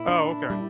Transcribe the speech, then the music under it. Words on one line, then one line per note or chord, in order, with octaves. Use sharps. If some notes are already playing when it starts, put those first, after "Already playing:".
Oh, okay.
Already playing: A#2 E4
D4
G3